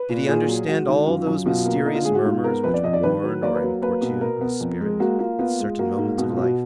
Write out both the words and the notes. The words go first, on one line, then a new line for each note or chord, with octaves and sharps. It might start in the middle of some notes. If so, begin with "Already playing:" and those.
Did he understand all those mysterious murmurs which warn or importune the spirit at certain moments of life?
Already playing: B4
A#2
A#2 G#4
F#3
G#3 F#4
D#3
F#2 F4
F#2
B2 F4
A#3
D3 D#4
F4
G#3 G#4
F#4
G#2 F4
B3 A#4
F2 B4
D5
F2 D#5
D5
D#3 B4
F#3
A#3 D5
B4
F#3
A#3 B4
B2
B3 A#4
B3
F2
G#3
A#3 F#4
A#3 F4
B3 F4
G#3
A#3 F#4
G#2
B2 F#4
F4
B2
F#4